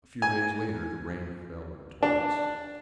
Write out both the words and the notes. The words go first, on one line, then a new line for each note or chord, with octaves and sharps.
A few days later, the rain fell in torrents.
G#5
D4